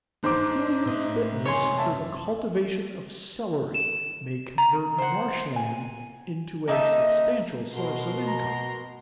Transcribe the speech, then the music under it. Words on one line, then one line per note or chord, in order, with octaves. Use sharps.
Peculiar fitness for the cultivation of celery may convert marsh land into a substantial source of income.
G#2 D4 C5 D6
A2 D#5 E5
F#2 C3 C#5 G#5 C6
E5 A5
E7
A#5
C5 F#5
G#5
A#3 D#4 E5 A5
B2 B3 F#4 A#4 C6
A#5